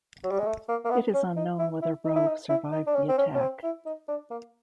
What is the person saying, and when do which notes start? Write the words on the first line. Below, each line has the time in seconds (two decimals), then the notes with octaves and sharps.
It is unknown whether Rowe survived the attack.
0.24 F#3
0.31 G3
0.39 G#3
0.46 A3
0.68 A#3
0.85 A#3
0.91 B3
1.14 C#4
1.36 D#4
1.59 E4
1.82 E4
2.05 D#4
2.16 E4
2.27 D#4
2.49 E4
2.72 D#4
2.87 D4
2.95 C#4
3.08 C4
3.18 C#4
3.35 C#4
3.40 C4
3.63 E4
3.86 D#4
4.08 D4
4.30 A#3